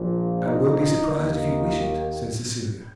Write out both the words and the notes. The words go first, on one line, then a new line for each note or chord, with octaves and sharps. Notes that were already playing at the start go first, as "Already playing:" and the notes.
"I will be surprised if you wish it," said Cecilia.
Already playing: A#1 A#2 F3
D#4
D#2 D#3 A#3 D#4